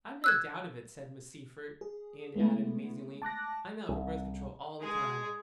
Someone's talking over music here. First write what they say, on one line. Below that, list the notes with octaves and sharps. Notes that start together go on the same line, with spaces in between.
"I've no doubt of it," said Miss Seyffert, and added amazingly: "I'm out for Birth Control all the time."
E6 F#6 G#6
G#4
G#3 A3 B3 E4
A5 D6 F#6 A#6
C2
G#3 G#4